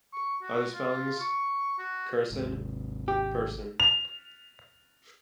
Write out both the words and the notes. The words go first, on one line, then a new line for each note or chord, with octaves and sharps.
"Other spellings": Curson, Pursan.
C#6
F#4
F4
C#6
F#4
G#1 C3
G4
F7